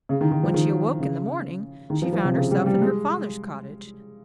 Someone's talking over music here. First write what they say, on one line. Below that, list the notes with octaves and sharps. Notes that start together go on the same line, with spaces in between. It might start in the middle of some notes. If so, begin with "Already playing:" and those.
When she awoke in the morning, she found herself in her father's cottage.
C#3
D#3
D#3
F3
D#3
C#3
D#3
F3
F3
C3
C#3
G3
G3
G#3